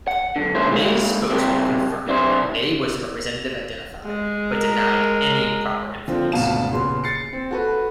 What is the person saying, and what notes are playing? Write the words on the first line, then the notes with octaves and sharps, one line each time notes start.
Ney's spokesman confirmed that Ney was the representative identified, but denied any improper influence.
F#5
B1 F2 D3
D#3 G#3 A#3 C#4 E4 C5
E3 G#3 A#3 E4
C#3 G3 C4 G4 G#4 A#4
B1 C3 D4 E4 C5
G#3
A#4
D3 F3 C4 F4
G#1 D2 B2 F5 A5 E7
D#1 C#3 B3 C6
A6 C7 C#7
C4
F#4 A4 B4